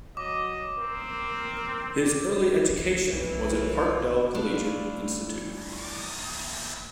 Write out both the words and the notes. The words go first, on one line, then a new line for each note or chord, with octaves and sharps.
His early education was at Parkdale Collegiate Institute.
F#3 D#5 D6
C4 A#4
D3 F3
B1 F#2 E3
G3 A3 D4 E4 F4